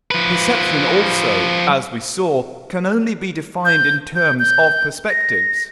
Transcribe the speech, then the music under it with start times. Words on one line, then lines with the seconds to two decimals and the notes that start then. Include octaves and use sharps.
Perception also, as we saw, can only be defined in terms of perspectives.
0.11 F3 B4
3.65 G6
4.16 G6
4.39 G6
5.09 A#6